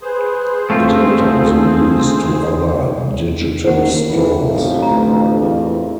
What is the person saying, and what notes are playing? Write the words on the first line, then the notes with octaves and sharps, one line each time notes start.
It later was released to other digital stores.
G#4 B4 C5
A3 C4 F4 A4
F#1 D#2 A#4 C5 F#5
B1 E3
A1 F2
D2 A#5
E2